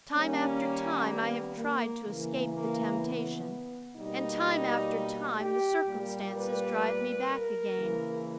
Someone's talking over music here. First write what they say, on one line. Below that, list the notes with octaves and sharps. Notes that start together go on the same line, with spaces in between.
Time after time I have tried to escape the temptation; and time after time the circumstances drive me back again.
D#3 G3 A#3 C#4
B3
A#3
C#3 E3 A#3
A#3
B3
B2 G3 A#3 D#4
G4
A#2 G3 A#3
B4
A#4
C#3 E3 A#3